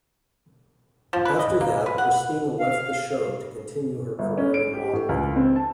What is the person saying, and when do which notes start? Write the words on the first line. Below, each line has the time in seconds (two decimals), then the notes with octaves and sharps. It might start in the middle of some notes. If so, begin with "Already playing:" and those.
After that, Christina left the show to continue her career in modeling.
1.13 F3
1.25 B4
1.39 D#5
1.61 A#3
1.86 B4
1.98 F#5
2.57 F5
4.19 G1
4.38 C#4
4.54 D7
4.73 G4
4.93 A2
5.09 C#2
5.36 C4
5.56 A5